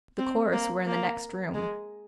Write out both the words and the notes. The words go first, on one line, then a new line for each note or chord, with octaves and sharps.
The chorus were in the next room.
C4
A#3
A#3
G#3